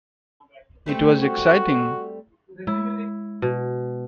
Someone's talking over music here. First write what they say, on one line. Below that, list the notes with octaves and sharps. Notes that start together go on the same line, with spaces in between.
It was exciting.
G3 A3 C4
F#4
G#3 E4
B2